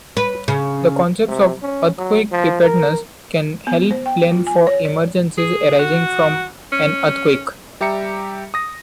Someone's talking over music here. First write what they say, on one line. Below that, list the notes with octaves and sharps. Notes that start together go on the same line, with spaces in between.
The concepts of earthquake preparedness can help plan for emergencies arising from an earthquake.
B4
C#3
C3
C#4
F#3
F3
A#4
B3
C5
G5
F4
G#5
C#5
D5
G#4
F#4
C#4
G3 G4 E5 A#5 C#7
D#6 A#6